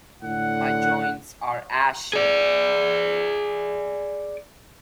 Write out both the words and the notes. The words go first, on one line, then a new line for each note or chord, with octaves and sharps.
My joints are aching.
A2 D3 F#5
G#4 D5